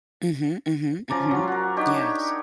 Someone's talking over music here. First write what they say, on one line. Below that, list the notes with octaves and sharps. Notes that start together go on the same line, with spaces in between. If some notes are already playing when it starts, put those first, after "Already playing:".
Mhm, mhm, mhm. Yes.
F3 C#4 D5 A#5
F#3 F4
F#4 A#4
D4 D#4 G4 C#5